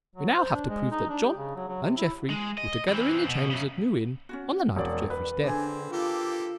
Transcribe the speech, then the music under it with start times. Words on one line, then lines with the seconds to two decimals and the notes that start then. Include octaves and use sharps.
We now have to prove that John and Jeffrey were together in the chambers at New Inn on the night of Jeffrey's death.
0.15 F#3
0.37 C5
0.53 D4
0.68 G#3
0.91 D#4
1.09 D4
1.24 G4
1.37 C#3
1.55 F#3
1.67 F#3
1.82 C3
1.97 E4
2.30 G#3
2.58 D#5
2.88 E3 C4
3.28 B2
3.50 F#2 C#3
4.29 C#4 F4 F#4
4.76 E1 C#5 D5
5.10 B4
5.43 D3 C4 D4 G#4
5.93 A#3 F4 G4 A4